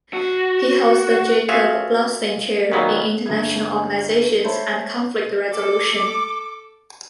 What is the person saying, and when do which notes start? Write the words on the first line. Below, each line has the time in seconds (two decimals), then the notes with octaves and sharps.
He holds the Jacob Blaustein Chair in International Organizations and Conflict Resolution.
0.13 F#4
1.49 F4 F#4 G#4 E5 F5
2.72 A#2 D#3 F#3 B3
3.26 G1 G#3 E5 G#6
4.44 C5 C#5 E5 A5 B5 C6
5.52 A4 D6